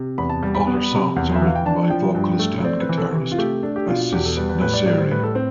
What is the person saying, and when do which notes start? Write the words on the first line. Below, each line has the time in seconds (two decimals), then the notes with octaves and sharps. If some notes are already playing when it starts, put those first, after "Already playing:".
All their songs are written by vocalist and guitarist, Asis Nasseri.
Already playing: C3
0.18 E2 B5
0.30 A5
0.43 G3
0.55 B5
0.67 B3
0.92 C3
1.16 E2
1.35 E5
1.41 E3 F5
1.56 G5
1.66 D4 A5
1.90 F3 G5
2.15 G2
2.39 A3
2.64 C4 D5
2.81 B4
2.89 E3
2.98 A4
3.14 C3
3.32 F4
3.38 A3 G4
3.63 D4 A4
3.76 G4
3.88 B2 F4
4.00 F4
4.12 E2 G4
4.25 A4
4.37 G3 B4
4.49 B4
4.62 A2 B4
4.74 D5
4.86 G3 D5
4.99 C5
5.11 A2 B4
5.23 A4
5.35 C4